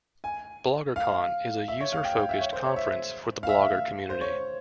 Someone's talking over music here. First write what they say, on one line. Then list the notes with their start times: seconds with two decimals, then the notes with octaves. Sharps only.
BloggerCon is a user-focused conference for the blogger community.
0.24 G#5
0.96 F5
1.68 E5
1.81 C#5
1.92 F5
2.04 G5
2.17 F5
2.29 E5
2.40 C#5
2.53 C5
2.65 C#5
2.76 E5
3.43 F5
3.49 E5
4.10 C5
4.21 C#5